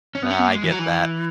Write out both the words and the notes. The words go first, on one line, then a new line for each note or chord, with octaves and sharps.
No, I get that.
C#4
B3
C#4
B3
A#3
G#3
E3
F#3
E3